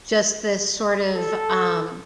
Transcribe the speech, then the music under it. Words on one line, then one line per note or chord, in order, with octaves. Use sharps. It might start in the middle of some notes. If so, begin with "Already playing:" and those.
just this sort of, um
A4